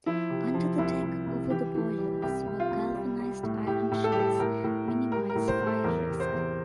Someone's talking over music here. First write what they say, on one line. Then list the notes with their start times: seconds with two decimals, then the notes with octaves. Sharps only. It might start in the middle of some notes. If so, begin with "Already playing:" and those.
Under the deck over the boilers were galvanised iron sheets minimise fire risk.
0.06 F3 E4
0.30 C3
0.54 F3
0.78 C2 E4
1.03 C2
1.26 C2
1.50 E3 G4
1.75 E3
1.98 G3
2.22 C2 G4
2.47 C2
2.60 F4
2.71 C2
2.95 G3
3.20 G3
3.43 A2
3.67 A2 G4
3.91 A2
4.04 A4
4.12 G4
4.15 G3 A4
4.40 A2 A#4
4.64 A2
4.88 A2
5.12 G3 A#4
5.29 A#4
5.35 A2
5.48 C5
5.60 A2
5.67 A4
5.84 E2 A#4
6.08 C3
6.20 C5
6.32 E2